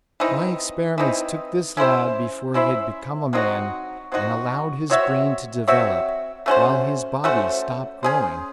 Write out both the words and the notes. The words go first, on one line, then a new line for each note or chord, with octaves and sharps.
My experiments took this lad before he had become a man, and allowed his brain to develop, while his body stopped growing!
E3 C4 D#4
E3 C4 D#4
C#4 E4 C5 E5
C#4 E4 C5 E5
F#3 C4 D#4 F#4
F#3 C4 D#4 F#4
C4 F#4 C#5 E5
C4 F#4 C#5 E5
A3 C#4 F#4 C5
A3 C#4 F#4 C5
C#4 G#4 C5